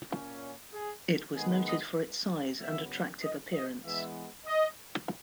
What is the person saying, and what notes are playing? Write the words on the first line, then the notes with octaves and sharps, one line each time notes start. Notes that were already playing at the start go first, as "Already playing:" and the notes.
It was noted for its size and attractive appearance.
A#2 A#3 C#4
G#4
D#3 G#3 B3 G#4
D#5
C#3 F#3 B3 E5
D#5
D#5
E3 G#3 B3 E5
D#5